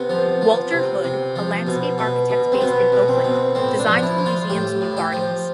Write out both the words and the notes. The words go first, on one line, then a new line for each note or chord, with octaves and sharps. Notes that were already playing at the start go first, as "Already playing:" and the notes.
Walter Hood, a landscape architect based in Oakland, designed the museum's new gardens.
Already playing: C3 B3
F3
F3
C3
C3
F3
B2
B2
B2
C4
B2 B3
B2
C4
B2
A2 C4
D4
F3
E4
F3
F4
A2 G4
A2
G4
F3